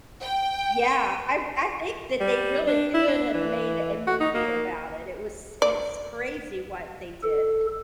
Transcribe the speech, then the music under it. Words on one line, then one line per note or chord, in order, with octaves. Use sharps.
Yeah. I r I think that they really could have made a movie about it. It was it's crazy what they did.
G5
G3
D4
E4
D4
E3
F#4
D#4
A#3
D5
A4